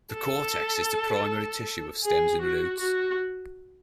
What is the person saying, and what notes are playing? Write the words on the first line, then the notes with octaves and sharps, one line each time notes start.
The cortex is the primary tissue of stems and roots.
A4
G#4
F#4
F#4